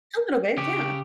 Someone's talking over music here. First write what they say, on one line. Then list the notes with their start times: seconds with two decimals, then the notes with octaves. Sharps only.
A little bit, yeah.
0.58 C#3 G4